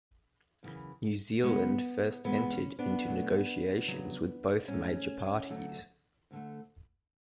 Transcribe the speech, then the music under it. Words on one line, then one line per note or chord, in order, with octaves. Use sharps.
New Zealand First entered into negotiations with both major parties.
F#2 C#3 E3
E2 C#3 G#3 B3
G#2 E3 G#3 B3
C#4
B3 D4
B2 F#3 A3
E2 C#3 F#3
G#2 F#3 A3 C#4
D2 D3 F#3 A3
D2 D3 A3